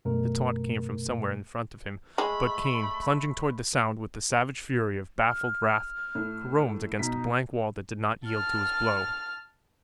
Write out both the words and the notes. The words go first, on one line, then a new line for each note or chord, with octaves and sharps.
The taunt came from somewhere in front of him, but Kane, plunging toward the sound with the savage fury of baffled wrath, caromed against a blank wall that did not yield to his blow.
F#2 B2 A3 A#4
G#3 A3 B5
F6
A2
B2 D#4 B6
A5 F6